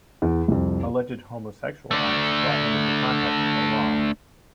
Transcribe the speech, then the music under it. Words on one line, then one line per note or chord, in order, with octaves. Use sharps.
Alleged homosexual acts brought him into contact with the law.
E2
C2 F2
A3 D4